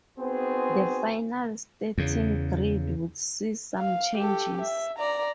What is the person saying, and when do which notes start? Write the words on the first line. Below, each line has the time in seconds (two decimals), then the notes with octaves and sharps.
The final starting grid would see some changes.
0.19 B3 C4 D#4 F#4 G#4 C5
1.98 E2 C#3
3.78 F5
4.17 G4 A4
4.61 E5
4.99 D5 A#5